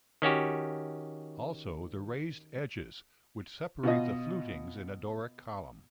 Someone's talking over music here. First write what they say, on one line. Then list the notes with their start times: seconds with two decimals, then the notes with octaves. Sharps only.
Also the raised edges which separate the flutings in a Doric column.
0.22 D#3 C#4 F#4 G4
3.83 B2 F4 D#5